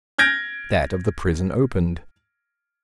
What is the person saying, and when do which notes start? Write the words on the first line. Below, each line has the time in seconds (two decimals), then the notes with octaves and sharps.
That of the prison opened.
0.18 F6 G6 G#6 A#6 D7